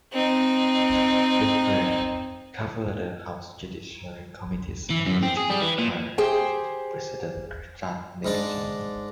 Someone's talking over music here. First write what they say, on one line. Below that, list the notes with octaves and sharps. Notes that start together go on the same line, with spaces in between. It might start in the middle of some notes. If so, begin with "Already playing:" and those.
Lehrer covered the House Judiciary Committee's impeachment inquiry of President Richard Nixon.
C4 D#4
E3
F#2
C4
G#4
G3
E3
A#2
G4 G#4 C5 G5
G#2 D4